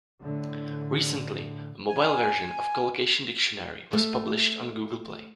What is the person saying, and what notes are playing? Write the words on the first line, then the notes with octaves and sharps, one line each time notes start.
Recently, a mobile version of Collocation Dictionary was published on Google Play.
A2 D3
G#5
A3